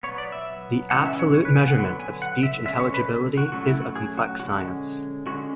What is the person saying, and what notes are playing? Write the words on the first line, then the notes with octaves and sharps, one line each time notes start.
The absolute measurement of speech intelligibility is a complex science.
F#3 B3 C#5
D5
E5
E3 G#3 C#4 F#5
E5
C#5
C#5
B4
G#5
F#5
D3 F#3 B3
G#5
F#5
E5
D3 G#3 C#4 E5
C#5
B4
A4
F#4
F#3 A3 C#4 F#4
E4
F#4
G#4
F#4
D3 G#3 C#4 F#4
D3 G#3 C#4 F#4